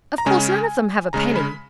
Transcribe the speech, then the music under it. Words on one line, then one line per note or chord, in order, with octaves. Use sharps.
Of course none of them have a penny.
A#5
C#3 G#3 C#4 G#5
C#3 G#3 C#4 A#5
B5